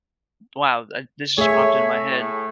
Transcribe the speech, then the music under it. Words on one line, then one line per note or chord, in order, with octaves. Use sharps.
Wow. Uh, this just popped in my head.
A3 G#4 C#5 E5
A2